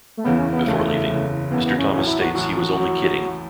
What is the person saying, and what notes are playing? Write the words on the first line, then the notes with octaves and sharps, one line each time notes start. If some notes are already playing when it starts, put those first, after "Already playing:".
Before leaving, Mr. Thomas states He was only kidding.
A3
F#1 E2 C#3 B3
C#4
B3
F#1 E2 C#3 A3
F#1 E2 C#3
F#1 E2 C#3 B3
B3
C#4
A1 A2 F#3 C#4
E4
F#4
A1 A2 F#3 F#4
F#4
A2 F#3